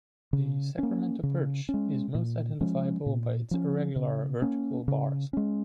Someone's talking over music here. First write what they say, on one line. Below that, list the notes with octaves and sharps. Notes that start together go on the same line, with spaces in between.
The Sacramento perch is most identifiable by its irregular vertical bars.
C#3
A#3 C#4
C#3
C#4
G#3
A#2
F3 G#3 C#4
A#2
F3 C#4
C#3
A#3 C#4
C#3
G#3 C#4